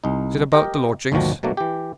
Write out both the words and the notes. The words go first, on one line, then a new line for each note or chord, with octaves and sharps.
"Is it about the lodgings?"
C2 D#4
G4 A#4 D#5
G1 D2 A#2 D#3 F3 F#4
B2 F#3 A3 A#3 D4
E3 G4